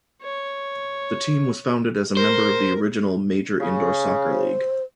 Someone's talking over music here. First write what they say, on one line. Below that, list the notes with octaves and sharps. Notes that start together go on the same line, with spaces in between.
The team was founded as a member of the original Major Indoor Soccer League.
C#5
A#4 C5
C#3
C5